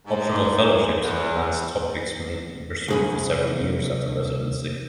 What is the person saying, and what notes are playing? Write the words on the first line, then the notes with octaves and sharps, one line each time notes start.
Optional fellowships in advanced topics may be pursued for several years after residency.
G#2
E2
C2 G#4 B5